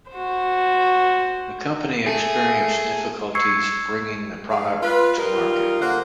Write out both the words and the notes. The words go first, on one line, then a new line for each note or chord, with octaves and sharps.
The company experienced difficulties bringing the product to market.
F#4 C5
A3 G#4
C#6 E6 G#6 C7 C#7
G#4 F5
F4 B4
G3 D#4 F4 A#4
D3 A#3 C5 F5 F#5